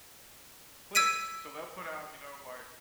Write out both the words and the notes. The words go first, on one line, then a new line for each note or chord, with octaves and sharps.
clicks, so, they'll put out, you know, like,
E6 G#6 B6 D7 D#7